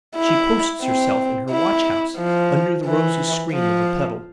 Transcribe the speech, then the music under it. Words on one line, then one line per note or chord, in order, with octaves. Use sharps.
She posts herself in her watch-house, under the rosy screen of a petal.
E4
C4
E4
F3
E3
F3